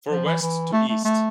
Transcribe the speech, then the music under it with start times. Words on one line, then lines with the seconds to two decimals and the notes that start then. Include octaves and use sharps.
For west to east.
0.10 F3
0.26 E3
0.41 E3
0.73 A3
0.89 A3
1.05 A3